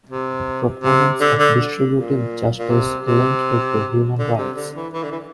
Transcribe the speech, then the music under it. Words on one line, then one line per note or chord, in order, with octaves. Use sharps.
Proponents of distributive justice link it to human rights.
C3
C3
D3
D3
A#2
A#2
C3
C3
D3
C3
D3
E3
E3
D3
E3